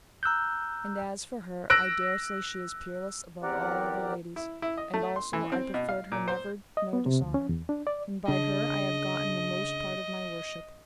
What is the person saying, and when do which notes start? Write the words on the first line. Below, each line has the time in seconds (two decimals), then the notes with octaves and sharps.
And as for her, I dare say she is peerless above all other ladies, and also I proffered her never no dishonour; and by her I have gotten the most part of my worship.
0.23 A#5 E6 F#6 G6
1.70 E6 F#6 A#6 D7
3.43 E2 C4 G4 A#4 D5 F#5
4.36 E4
4.62 E4
4.77 D#5
4.94 A3
5.16 C6
5.33 E3
5.52 C4
5.74 B2
5.89 F5
6.12 A#2
6.28 C5
6.77 D#5
6.93 B3
7.06 C3
7.22 D2
7.34 C#4
7.49 E2
7.69 D4
7.87 D5
8.28 C#3 D4 D#5